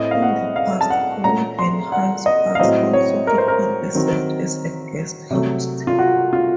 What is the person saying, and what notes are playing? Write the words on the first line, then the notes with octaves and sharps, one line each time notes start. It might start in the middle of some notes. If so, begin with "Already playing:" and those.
In the past, Comedian Hal Sparks also frequently served as a guest host.
Already playing: A2 A3 C4 D#5
F5
F#5
F5
A5
F#5
A#2 A3 C#4 A#5
C6
F#5
D#5
F5
A2 F#3 C4 D#5
C#5
A#4
C5
A#4
D#3 F#3 C4
C3 F#3 A3
F4
F#4
F4